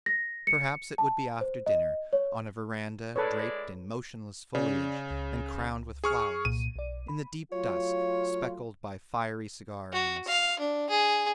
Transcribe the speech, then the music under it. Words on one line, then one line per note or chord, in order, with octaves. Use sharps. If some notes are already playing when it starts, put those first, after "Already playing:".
Perhaps it would be after dinner, on a verandah draped in motionless foliage and crowned with flowers, in the deep dusk speckled by fiery cigar-ends.
A#6
C#7
A5
C5
D#5
C#5
G#3 E4 A4 B4 C#5 D5
C#3 C#4 D5
C#2
G#4 C#6 F6
C2 A#2 D#7
B1 D5
B5
F#3 A3 F4 C#5
F#4
F5
D4
G#4